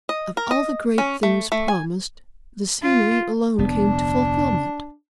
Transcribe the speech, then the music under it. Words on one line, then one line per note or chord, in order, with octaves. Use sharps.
Of all the great things promised, the scenery alone came to fulfilment.
D#5
A#4
D#5
C#4
A3
A3
G#5
F4
F1 D2 B3 D4